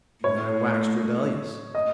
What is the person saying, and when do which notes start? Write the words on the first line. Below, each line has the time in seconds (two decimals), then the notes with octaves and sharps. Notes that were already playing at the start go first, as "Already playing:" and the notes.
Then I waxed rebellious.
0.24 A2 C#5
1.75 D#5